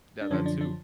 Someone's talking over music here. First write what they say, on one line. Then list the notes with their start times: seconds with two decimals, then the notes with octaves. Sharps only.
Yeah, that too.
0.21 D4
0.31 F#2 D3 F3 C#4
0.46 D4
0.61 D4